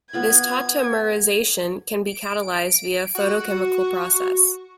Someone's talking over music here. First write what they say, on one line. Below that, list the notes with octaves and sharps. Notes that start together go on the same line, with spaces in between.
This tautomerization can be catalyzed via photochemical process.
B3 F4 B5 G#6
D7
F#4